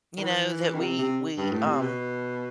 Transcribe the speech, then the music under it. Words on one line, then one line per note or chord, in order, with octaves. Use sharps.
you know, that we we, um
D#3
E3
D#3
C3
C3
G2
A2
C3
B2